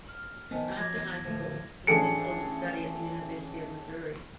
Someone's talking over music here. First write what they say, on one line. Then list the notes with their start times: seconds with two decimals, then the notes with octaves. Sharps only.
After high school, he went on to study at the University of Missouri.
0.09 F6
0.51 A#1 D#3 B3 C5 G#5 A5
0.77 F3 F#3 D6 G#6 A#6
0.95 E2
1.24 D1 F3 A3
1.87 A1 D4 G#4 A4 C#7